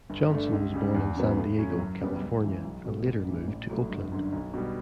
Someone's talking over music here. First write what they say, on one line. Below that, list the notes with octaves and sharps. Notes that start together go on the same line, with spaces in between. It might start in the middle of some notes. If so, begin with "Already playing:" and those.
Johnson was born in San Diego, California and later moved to Oakland.
G1
G2 D3 A3 D4
C#2
C#3 G3
E2
C#3 F#3 B3
A2
F#3 C#4
F#2
C#3 G3 B3
C#2
C#3 E3
B1
B2 A3
A1
G2 E3
A1
A2 F#3
G1
F#2 D3
B1
B2 G3